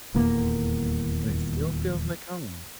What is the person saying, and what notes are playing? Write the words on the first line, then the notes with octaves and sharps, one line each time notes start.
And it still feels like home.
D#1 E2 A#3